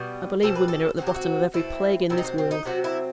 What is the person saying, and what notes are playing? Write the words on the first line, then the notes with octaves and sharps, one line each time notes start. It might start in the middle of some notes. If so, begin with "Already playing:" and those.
I believe women are at the bottom of every plague in this world.
Already playing: B2 G3 B3
B2 G3 C4 A4
B4
A4
C3 F#3 C4 F#4
G4
F#4
B2 A3 C4 E4
C3 F#3 C4 E4
D#4
C4
C4
D#4
C3 F#3 C4 F#4
E4